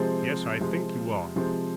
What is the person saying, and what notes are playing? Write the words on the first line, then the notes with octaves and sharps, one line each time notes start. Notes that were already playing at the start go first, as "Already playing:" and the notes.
'Yes, I think you are.
Already playing: C3 F3 G#3 C4
C3 F3 G#3 C4
C3 F3 G#3 C4